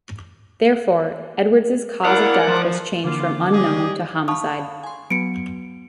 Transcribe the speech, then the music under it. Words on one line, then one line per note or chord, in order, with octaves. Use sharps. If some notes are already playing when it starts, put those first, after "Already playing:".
Therefore, Edwards' cause of death was changed from unknown to homicide.
E4 A#4 D5 F5 F#5
F3
D3 E3 A#3 F4 D6
G3 G4 G#4 D#5
F5 A5 B5 C#6 D#6
G#5 C6
F#3 B3 C#7 D7